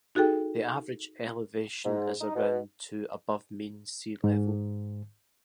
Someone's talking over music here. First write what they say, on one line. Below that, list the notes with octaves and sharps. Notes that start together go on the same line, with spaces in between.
The average elevation is around to above mean sea level.
D#4 F#4 G#4 A4 G5
G#2
D#4
B2
G#2